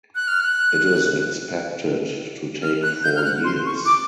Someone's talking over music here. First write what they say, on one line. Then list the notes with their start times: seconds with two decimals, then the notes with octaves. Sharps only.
It is expected to take four years.
0.15 F#6
0.28 F6
0.40 F#6
2.63 F6
2.83 F#6
3.03 G6
3.16 F6
3.24 F#6
3.44 C6
3.65 C#6
3.86 D6